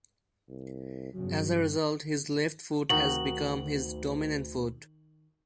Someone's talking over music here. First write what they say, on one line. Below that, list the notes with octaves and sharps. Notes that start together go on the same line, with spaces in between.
As a result, his left foot has become his dominant foot.
C2
E2 G2 C#3 F#3
D2 D#3 D#4 F#4 F#7